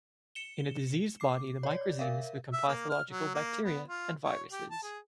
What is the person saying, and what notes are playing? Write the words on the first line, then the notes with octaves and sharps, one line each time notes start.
In a diseased body, the microzymas become pathological bacteria and viruses.
C#7 E7 G7
D6 C7
C#5 D5
A#4 E5 F5
E5
A#3
F6
F#3
A#3
B3
F4
C#5
G4
A5
G#4